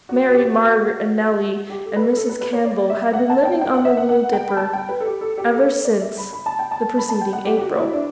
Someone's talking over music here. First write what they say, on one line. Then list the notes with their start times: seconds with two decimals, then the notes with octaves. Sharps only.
Mary Margaret and Nellie and Mrs. Campbell had been living on the Little Dipper ever since the preceding April.
0.09 F#4
0.26 F#4
0.33 G4
0.40 F#4
1.70 G4
1.85 A4
1.96 B4
2.02 A4
2.17 A4
2.29 B4
2.41 B4
2.53 C#5
2.65 D5
2.90 E5
3.13 F#5
3.30 A5
3.45 G5
3.61 G5
3.74 F#5
3.85 E5
3.97 F#5
4.09 F#5
4.33 G5
4.48 B5
4.57 A5
4.73 G5
4.89 B4
5.00 A4
5.06 G4
5.21 A4
5.38 G4
5.53 A4
5.69 B4
5.85 D5
6.01 E5
6.17 B5
6.33 B5
6.46 A5
6.59 G5
6.71 A5
6.97 B5
7.09 A5
7.21 G5
7.33 F#5
7.45 G4
7.57 G4
7.61 F#4
7.77 E4
7.93 D4